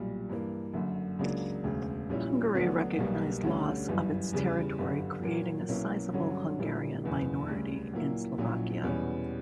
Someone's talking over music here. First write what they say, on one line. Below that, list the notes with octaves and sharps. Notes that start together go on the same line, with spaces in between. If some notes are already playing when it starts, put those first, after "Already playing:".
Hungary recognized loss of its territory creating a sizable Hungarian minority in Slovakia.
Already playing: B1 A#2 G3
G2 E3 A#3
F#1 F#2 D3
C#2 C#3 F#3 A#3 D4
E1 D2 C#3
A#1 A#2 G3 C#4 E4
D2 D3 F#3 B3 D4
B1 B2 G3 A#3
D2 D3 G3 C#4
G1 F#2 E3 G3
E2 C#3 G3
G1 F#2 D3 G3
A#2 F#3 A#3
B1 B2 A#3 C#4 E4
G2 D3 F#3 C#4
A#1 A#2 G3 A#3 E4
F#1 E2 B2
D2 C#3 G3
A#2 F#3 A#3 E4
A#1 A#2 F#3 C#4 E4
E2 B2 G3 C#4